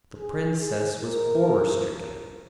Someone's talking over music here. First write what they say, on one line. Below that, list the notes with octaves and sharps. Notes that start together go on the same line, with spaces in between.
The Princess was horror-stricken.
G#4
G#4
A#4